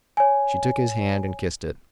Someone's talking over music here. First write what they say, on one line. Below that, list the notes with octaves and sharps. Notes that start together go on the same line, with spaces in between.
She took his hand and kissed it.
C#5 G#5